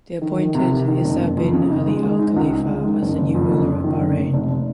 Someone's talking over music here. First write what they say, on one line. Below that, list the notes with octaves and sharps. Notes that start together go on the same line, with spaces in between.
They appointed Isa bin Ali Al Khalifa as the new ruler of Bahrain.
D#3
D#3
C3
D#3
D#3
F#1
F#1
F2
C#3
D#4
G#3
G#3
D#4
C#2
D#4
G#3
D#3
F#1
F#1
F2
F#1
F#1
D#3
F#1
F1
F1